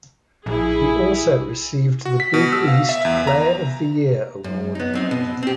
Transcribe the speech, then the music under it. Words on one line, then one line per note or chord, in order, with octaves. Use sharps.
He also received the Big East Player of the Year award.
A#1 E4 G#4
F#4
B6
B2
E6
F5
E5
E2
A#5
F#2
B3 D#4
F#2 C4 D#4
B2
C4 G4